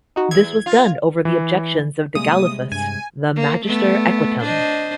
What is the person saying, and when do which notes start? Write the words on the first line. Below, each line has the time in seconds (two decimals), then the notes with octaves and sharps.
This was done over the objections of Dagalaifus, the "magister equitum".
0.16 D#4 F#4
0.31 E2 G#6
0.66 F4
1.25 E3
2.15 C3 G3 G#3 A#3 D#6
2.72 G2 G#5
3.36 A#3
3.65 A3 B3
4.42 D4 C5 D#5